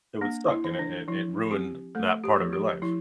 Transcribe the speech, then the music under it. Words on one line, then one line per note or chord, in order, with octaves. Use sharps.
it would suck, and it it it ruined that part of your life
A#3 D4
E4
E3
D4
F3 E4
C4 G4
A3 A4
G4
F3
G4
F3 E4